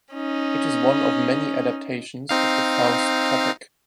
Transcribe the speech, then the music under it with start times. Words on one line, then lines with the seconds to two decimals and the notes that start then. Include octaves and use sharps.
It is one of many adaptations of the Faust topic.
0.13 C#4 D#4
2.29 C4 D#4 F5